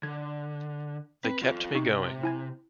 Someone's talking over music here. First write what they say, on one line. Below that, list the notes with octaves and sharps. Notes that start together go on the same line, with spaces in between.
They kept me going.
D3 G#6
C4 B4
F4 A4
C3 D#4 C#6
E4 G#5 G#6